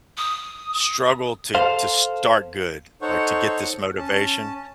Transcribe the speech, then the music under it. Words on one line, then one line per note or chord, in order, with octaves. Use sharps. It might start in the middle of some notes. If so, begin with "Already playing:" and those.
struggle to to start good, like, to get this motivation.
D#6
A4 C5 F5
D#4 A4 C5 C#5 F#5 C#6
C#4 A5